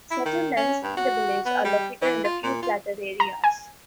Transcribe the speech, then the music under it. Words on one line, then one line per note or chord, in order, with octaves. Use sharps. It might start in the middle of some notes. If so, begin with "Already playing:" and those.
Settlements in the village are located in the few flatter areas.
E4
D#3
C#4
G2
F#4
B3
G3
E3
F4
A#2
F4
A#5
G#5